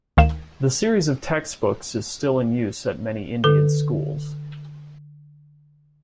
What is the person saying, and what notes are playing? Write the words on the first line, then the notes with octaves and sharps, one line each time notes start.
The series of textbooks is still in use at many Indian schools.
D2 D#3 F5 E7
D3 A4